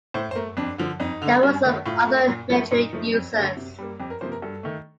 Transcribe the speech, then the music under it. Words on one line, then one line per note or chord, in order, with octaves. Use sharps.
There were some other military users.
A2 C5
C5
A3 A#4
F2 D4
D3 F3
F2 D#4
D3 A3
G2
D#3 A3
A2 F4
A3
A#2
F3 A3
A#2 D#4
F3 A3
F2
D3 A3
C3
G3 A#3
F2 G4
A#4
C3 F3 A#3 C5
A#4
G2 A4
D#3 A3